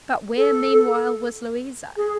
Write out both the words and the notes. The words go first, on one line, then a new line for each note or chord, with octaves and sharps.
But where, meanwhile, was Louisa?
A4
G#4